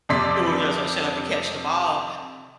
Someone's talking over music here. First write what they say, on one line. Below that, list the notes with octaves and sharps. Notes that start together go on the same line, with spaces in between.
who are just, like, "Shut up and catch the ball,"
F2 C3 D5 C6 B6